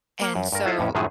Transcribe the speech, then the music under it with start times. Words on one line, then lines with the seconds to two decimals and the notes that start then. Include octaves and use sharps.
and so
0.21 A#3
0.35 F#2
0.52 G2 A#4
0.66 E4 F4 A4 C5 D#5
0.78 F2 A2 C#4
0.95 F#2 A2 D#3 F3 F#3 G#4